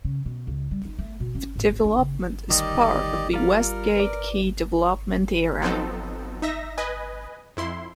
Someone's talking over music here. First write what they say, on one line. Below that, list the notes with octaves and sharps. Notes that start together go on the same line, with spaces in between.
The development is part of the "Westgate Key Development Area".
C#3
B2
C#2
G3
D#4
A3
B2
C#4
A2
D1
D4
C#3
D2 D#3 G3 G4 D5 D#5
G3 F4 A#4
B4 D5
F3 F#3 B3 C4 D#4 A4
D#4 E5 A#6
B4 D#5 G#5
F2 E4 C6